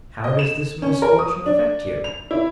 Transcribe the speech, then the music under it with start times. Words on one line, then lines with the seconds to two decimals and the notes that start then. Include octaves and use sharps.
How does this misfortune affect you?
0.24 D#5
0.39 E7
0.82 C#4
1.02 A#4
1.19 D#6
1.46 D4
2.04 F7
2.31 E4